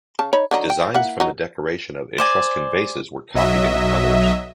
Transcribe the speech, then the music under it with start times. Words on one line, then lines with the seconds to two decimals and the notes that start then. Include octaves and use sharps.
Designs from the decoration of Etruscan vases were copied in colors.
0.19 C#3 A5
0.33 D#4 C#5 B5
0.51 D3 F#3 D#4
0.70 G5
0.94 A#3 E4 F#5
1.20 F#3 D#4
2.18 C5 D5 G#5
3.34 B1 F#3 D#5 E5